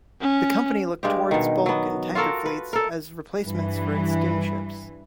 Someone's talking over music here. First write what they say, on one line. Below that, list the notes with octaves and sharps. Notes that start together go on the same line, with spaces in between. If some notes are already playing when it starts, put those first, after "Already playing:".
The company looked towards bulk and tanker fleets as replacements for its steamships.
C#4
G2 G#3 G4
B2 D#3
F#3 B3
F4 F#4 A4 A#4
B4
A4 A#4
G2 E3